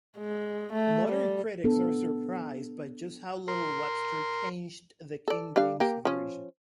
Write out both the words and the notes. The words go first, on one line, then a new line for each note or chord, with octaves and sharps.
Modern critics are surprised by just how little Webster changed the King James Version.
G#3
A3
G3
B3 D4 A4
A#4 C6
A4 D5
G3 D4 F5
A#3 G4
F3 C#4